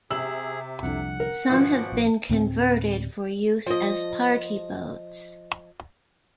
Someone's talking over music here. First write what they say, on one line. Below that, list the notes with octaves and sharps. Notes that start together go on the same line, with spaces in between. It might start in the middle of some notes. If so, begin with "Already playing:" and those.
Some have been converted for use as party boats.
C3 G#4 E6 F#7
C2 F2 D3 F#5
A#4
G#1 B2 F3 G#5 A5
A#1
D2 A2 G3 C4
F3 D#5